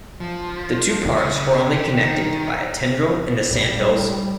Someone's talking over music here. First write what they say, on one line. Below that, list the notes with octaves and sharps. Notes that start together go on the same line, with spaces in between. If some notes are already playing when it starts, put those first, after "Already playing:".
The two parts were only connected by a tendril in the Sandhills.
F3
C#3
G4
D#3
A#1 A#2 G3